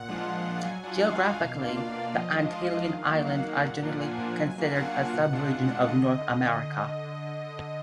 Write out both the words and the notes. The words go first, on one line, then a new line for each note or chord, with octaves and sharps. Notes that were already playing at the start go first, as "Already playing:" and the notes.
Geographically, the Antillean islands are generally considered a subregion of North America.
Already playing: A#2 F#5
F3 G#3 D4 F4
A#2
F3 G#3 D4 F4
F#5
F#3 G#5
D4 F4 F#5
F#3 F5
D4 F4
B2
A#3 D4 F4
B2 D5
A#3 D4 F4
F3 D#5
G#3 D4 F4
F3 F5
G#3 D4 F4
D#3
F#3 A#3
D#3 F#5
F#3 A#3
A#2
F3 A#3 D4 F4
A#2 G#5
F3 A#3 D4 F4
G#5
F#3
A#3 D4 F4
F5
F#3 F#5
A#3 D4 F4
B2
G#3 D4 F4
B2
G#3 D4 F4
D3 D#5